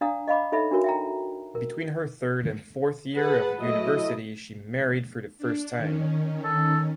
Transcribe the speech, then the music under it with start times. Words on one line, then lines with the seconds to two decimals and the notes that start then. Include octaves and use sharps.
Between her third and fourth year of university she married for the first time.
0.01 D4 D5 F5 A#5 D#6
0.28 D#5 F5 B5 D6
0.52 D#4 A4 C#5 E5 B5
0.71 D4 F#4 A#4 C#5
0.84 E5 G5 A#5
1.55 A#4
3.13 G#4 B4 F#5 A5
3.60 F#3 A3 E4 D#5
5.38 D4
5.77 D#3 C#4
6.44 A4